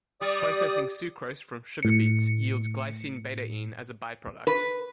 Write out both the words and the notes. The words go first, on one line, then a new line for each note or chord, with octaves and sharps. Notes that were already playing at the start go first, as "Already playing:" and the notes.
Processing sucrose from sugar beets yields glycine betaine as a byproduct.
G3 D5 D#6
A2 C#7
B4